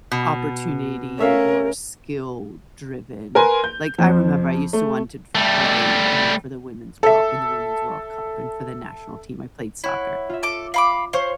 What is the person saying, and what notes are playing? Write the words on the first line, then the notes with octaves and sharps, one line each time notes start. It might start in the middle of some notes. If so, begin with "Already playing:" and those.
opportunity or skill-driven. Like, I remember I used to wanted to f play, you know, for the Women's World in the Women's World Cup, and for the national team I played soccer.
B2
A3 C#4 A#4 E5 F5
A#4 B4 G#5 C6
G6
F2 F3
A3
G3 A3
A4 E5
E4 C#5 F#5
F4 E5
A4 D6
F5 B5 D6
C5 C#5 F5 C#6